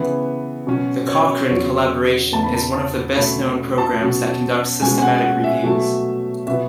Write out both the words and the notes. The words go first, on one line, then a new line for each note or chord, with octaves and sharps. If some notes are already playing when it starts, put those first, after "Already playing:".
The Cochrane Collaboration is one of the best-known programs that conducts systematic reviews.
Already playing: C#3 E3 B3
B2 F#3 C#4
C#5
E2 C#3 F#3 C#5
E2 C#3 E3 B3 A5
B5
A5
A5
B2 A3 C#4 B5
A5
B2 F#3 C#4
B2 G#3 C#4 G#5
G#5
F#5
F#5
E5
B2 F#3 A3
B2 F#3 B3 E5